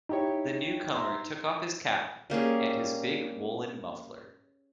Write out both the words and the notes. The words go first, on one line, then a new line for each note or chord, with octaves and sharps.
The newcomer took off his cap and his big woollen muffler.
D#4 E4 G4 C#5
E5 A#5 C6
G3 A#3 C#4 G#4